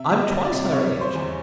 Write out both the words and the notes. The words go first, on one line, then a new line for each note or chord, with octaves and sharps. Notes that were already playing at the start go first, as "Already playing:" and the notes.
I'm twice her age.
Already playing: C3 E5
G3
D#5
G3
D5
C3
C3 C#5
C3
C5
E2